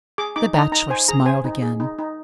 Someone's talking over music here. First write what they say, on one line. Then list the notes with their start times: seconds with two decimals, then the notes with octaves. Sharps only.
The Bachelor smiled again.
0.18 G#4 D6
0.36 D#4 D6
0.54 D#4 A#5
0.72 D#4 A#5
0.90 C5 G#5
1.08 G#4 A#5
1.26 C5 G#5
1.45 D#4
1.62 G#4
1.80 D#4
1.98 D#4